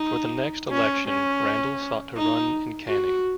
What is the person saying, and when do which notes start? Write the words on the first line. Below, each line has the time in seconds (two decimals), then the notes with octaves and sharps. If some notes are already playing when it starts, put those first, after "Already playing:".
For the next election, Randall sought to run in Canning.
Already playing: D#4
0.71 C#4
1.08 C#4
2.16 D#4
2.88 F#4